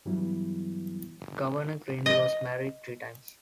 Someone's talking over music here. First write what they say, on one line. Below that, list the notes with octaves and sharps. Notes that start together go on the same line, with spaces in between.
Governor Greenly was married three times.
G2 E3 F#3 G3 B3 E4
D#5